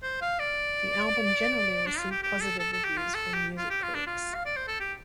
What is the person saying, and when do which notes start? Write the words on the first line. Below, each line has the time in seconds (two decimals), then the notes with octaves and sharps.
The album generally received positive reviews from music critics.
0.03 C5
0.21 F5
0.40 D5
1.87 D4
1.99 F4
2.11 G4
2.23 G4
2.42 A4
2.59 A4
2.73 A4
2.84 G4
2.97 F4
3.15 A4
3.34 G4
3.58 F4
3.70 G4
3.83 F4
3.95 D4
4.07 F4
4.35 F5
4.46 D5
4.57 C5
4.68 A4
4.80 G4